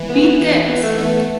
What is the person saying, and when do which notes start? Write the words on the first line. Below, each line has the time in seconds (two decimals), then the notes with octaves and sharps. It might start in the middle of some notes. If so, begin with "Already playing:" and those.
Beat This!
Already playing: E3
0.10 B3
0.39 E3
0.69 B3
0.83 A3
0.98 A3 B3